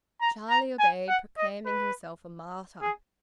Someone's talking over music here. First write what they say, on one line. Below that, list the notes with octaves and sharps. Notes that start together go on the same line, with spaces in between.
Charlie obeyed, proclaiming himself a martyr.
A#5
A#5
G#5
F#5
D#5
B4
G#4